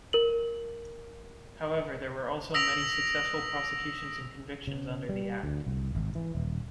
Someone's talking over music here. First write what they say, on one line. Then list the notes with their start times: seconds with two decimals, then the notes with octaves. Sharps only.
However, there were also many successful prosecutions and convictions under the Act.
0.13 A#4 F#7
2.54 D#6 E6 A#6 B6 D7 F7
4.67 C#3
5.09 G3
5.43 D2
5.67 C2
5.95 G#1
6.15 E3
6.35 D#1